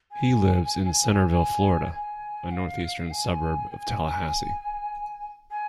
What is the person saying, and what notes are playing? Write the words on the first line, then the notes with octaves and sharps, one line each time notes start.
He lives in Centerville, Florida, a northeastern suburb of Tallahassee.
G#5
G#5
G#5
F5
G#5
G#5
G#5